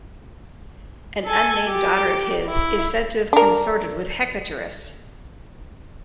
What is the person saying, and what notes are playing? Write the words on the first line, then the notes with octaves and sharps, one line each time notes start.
An unnamed daughter of his is said to have consorted with Hecaterus.
A4 G#5
G4
E4
D4 A#4